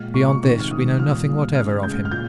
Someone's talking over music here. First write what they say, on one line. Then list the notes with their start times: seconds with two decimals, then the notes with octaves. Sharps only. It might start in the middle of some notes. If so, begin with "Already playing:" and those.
Beyond this we know nothing whatever of him.
Already playing: A#2 G#3 F6
0.14 A#2 G#3 C#6
0.29 C#6
0.43 C3 D#3 G#3 C#6
0.60 F6
0.71 C3 D#3 G#3 D#6
0.99 A#2 G3 F6
1.27 A#2 G3
1.55 C#3 G#3 F6
1.83 C#3 G#3 G6
2.05 F6
2.11 A#2 G6